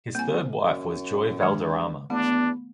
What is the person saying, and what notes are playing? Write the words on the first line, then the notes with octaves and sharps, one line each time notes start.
His third wife was Joy Valderrama.
C2 A#3 G#5
F#2
G2 D#3 G3 G#3
E2 A3 B3 D4